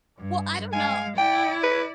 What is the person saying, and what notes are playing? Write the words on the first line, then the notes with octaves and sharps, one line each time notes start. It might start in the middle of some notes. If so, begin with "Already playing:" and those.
Well, I don't know
G2
G#3 F5 G#5
E4 D5 G5
B4